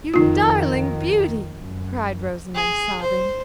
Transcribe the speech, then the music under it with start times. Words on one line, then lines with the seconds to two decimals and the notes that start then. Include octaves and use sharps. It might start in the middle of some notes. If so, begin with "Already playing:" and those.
"You darling beauty!" cried Rosamond, sobbing.
0.14 F2 D#3 D#4 F4
1.58 F#2
2.55 G#4
3.01 C5